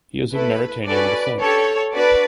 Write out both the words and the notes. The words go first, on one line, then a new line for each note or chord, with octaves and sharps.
He is of Mauritanian descent.
A3 E4 A4 B4
C#4 F#4 A4 B4 D5
D4 G4 A4 C#5
B3 D4 F#4 A4 B4 D5